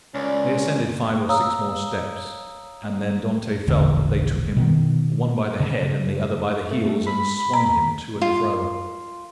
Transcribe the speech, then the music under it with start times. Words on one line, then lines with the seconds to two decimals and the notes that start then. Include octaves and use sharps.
They ascended five or six more steps, and then Dantes felt that they took him, one by the head and the other by the heels, and swung him to and fro.
0.15 C#2 C#4 A#4 D5 A#5
1.29 C#5 F5 A#5 D#6 E6
3.68 E1 A#1 E2 D3
4.57 B2 D#3 B3
5.60 C#3
6.71 A3
7.07 B5
7.54 A#5
8.21 F4